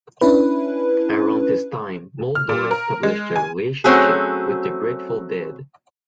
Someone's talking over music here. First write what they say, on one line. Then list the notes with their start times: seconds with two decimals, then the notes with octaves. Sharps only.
Around this time, Muldaur established a relationship with the Grateful Dead.
0.21 C#4 D4 E4 B4
2.35 F6
2.49 A#2
2.71 A#4
3.03 G#3
3.36 G#5
3.84 F#3 A3 C4 C#4 F#4 G#4